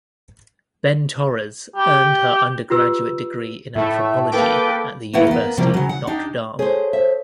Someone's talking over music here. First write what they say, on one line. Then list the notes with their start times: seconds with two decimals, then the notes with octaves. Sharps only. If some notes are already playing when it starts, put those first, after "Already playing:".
Benn Torres earned her undergraduate degree in anthropology at the University of Notre Dame.
1.76 G4
2.70 F4 G4 B4 E6
3.75 A2 A3 E5
4.32 A#3 A4 B4 G5 D6
5.13 A3 A#3 E4 B4 F#5
5.27 A#3 B3
5.57 A2 C3 F3 G3 A#3
5.74 C#3 F#3
5.89 F#5
6.07 D4 D#4 G4
6.59 G#4 A4 C5 C#5
6.93 C5 E5